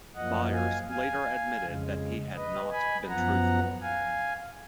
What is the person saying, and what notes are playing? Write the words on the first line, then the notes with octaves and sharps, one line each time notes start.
Byers later admitted that he had not been truthful.
F#2 F3 A#3 D#5 F#5
F5 G#5
F5 G#5
F2 C#3 G#3
B4 D#5
G#5 B5
F#2 F3 B3 F#5 A#5
F5 G#5